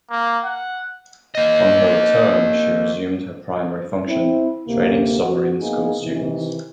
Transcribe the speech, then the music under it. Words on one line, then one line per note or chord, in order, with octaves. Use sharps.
On her return, she resumed her primary function, training submarine school students.
A#3
F#5
A#3 D#5
C4 E4
D2 C3 A#3
F#4
A#3 B3 D#4 G#4
C3 D#3 E3